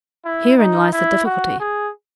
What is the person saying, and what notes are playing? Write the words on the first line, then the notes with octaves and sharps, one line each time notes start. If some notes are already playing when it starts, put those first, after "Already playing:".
Herein lies the difficulty.
E4
D#4
E4
F#4
G#4